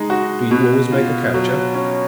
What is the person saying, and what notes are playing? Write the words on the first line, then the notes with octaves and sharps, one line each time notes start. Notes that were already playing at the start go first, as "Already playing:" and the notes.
"Do you always make a capture?"
Already playing: G#3 D#4
F#4
B2
F4
F#3
C#4